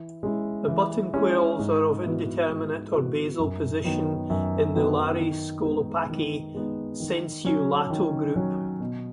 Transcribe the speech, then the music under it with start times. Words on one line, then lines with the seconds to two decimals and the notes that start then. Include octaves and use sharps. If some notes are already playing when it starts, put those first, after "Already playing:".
The buttonquails are of indeterminate or basal position in the Lari-Scolopaci "sensu lato" group.
Already playing: E3
0.23 G#3 C#4 E4
0.68 E3
1.13 G#3 C#4 E4
1.59 G#2
2.03 E3 B3 F#4
2.49 G#2
2.94 E3 B3 F#4
3.39 F#2
3.84 D#3 F#3 B3
4.30 F#2
4.74 D#3 F#3 B3
5.20 D#3
5.65 G#3 B3 D#4
6.10 D#3
6.54 G#3 B3 D#4
7.00 D#3
7.45 F#3 C#4
7.90 D#3
8.36 F#3 C#4
8.80 B2